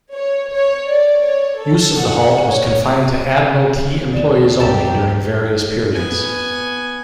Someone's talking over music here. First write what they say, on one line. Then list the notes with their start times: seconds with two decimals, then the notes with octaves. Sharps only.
Use of the halt was confined to Admiralty employees only during various periods.
0.13 C#5
0.51 C#5
0.89 D5
1.25 C#5
1.57 A4
2.01 F#5
2.49 C#5
4.14 E2 A#2 D5
4.60 C#2 F#3 G4 A4 A#5 A6 E7
5.94 B3 G#5